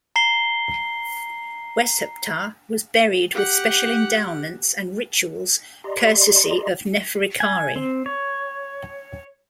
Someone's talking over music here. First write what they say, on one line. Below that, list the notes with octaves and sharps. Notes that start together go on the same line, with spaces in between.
Weshptah was buried with special endowments and rituals courtesy of Neferirkare.
A#5 C7 G7
G4 F#5
G4 D5 D#5 A#5 C6
G#5
C4
C#5